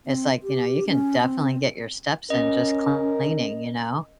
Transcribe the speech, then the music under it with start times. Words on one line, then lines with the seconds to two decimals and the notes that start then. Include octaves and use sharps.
it's like, you know, you can definitely get your steps in just cleaning, you know?
0.06 C4
0.43 G4
0.88 C#4
1.21 C4
2.30 C#4 A#4 D#5